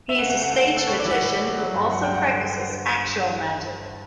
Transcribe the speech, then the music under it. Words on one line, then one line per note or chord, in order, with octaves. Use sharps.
He is a stage magician who also practices actual magic.
E5
C#3 F#5
F#5
A3
F#5
C#3 F#5
F#5
A3
A4
A2 C#5
D5
E3
F#5
A2
A2
F#3
G2
G2 F#5
G5
G2
F#5
D3 F#5